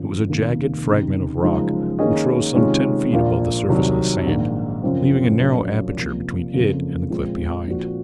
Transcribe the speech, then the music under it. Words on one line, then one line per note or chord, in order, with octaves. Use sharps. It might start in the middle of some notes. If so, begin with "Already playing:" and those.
It was a jagged fragment of rock which rose some ten feet above the surface of the sand, leaving a narrow aperture between it and the cliff behind.
Already playing: G#1 F#2 F3
F1 D#2 D#3 A#3
C#2 C3 D#3
F#1 F#2 F3 G#3 D#4
D#3 A#3 C#4 G#4 D#5
C3 D#3 G#3 C#4 F4
A#1 A#2 F3 A#3 F4
C2 C3 D#3 F#3
A#1 G#2 D#3 A#3
F#1 F#2 F3 C4
A#1 A#2 F#3 C#4
C3 F3 A#3
F#1 F2 C#3 F3 A#3
A#2 F3 G#3 C4 F4
A#1 A#2 F3 C4 F#4